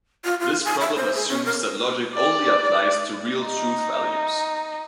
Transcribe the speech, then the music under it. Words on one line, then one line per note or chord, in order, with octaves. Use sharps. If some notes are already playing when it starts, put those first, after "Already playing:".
This problem assumes that logic only applies to real truth values.
F4
F4
G#5
E5
C5
G#4
C#4
A#4
D5
D#4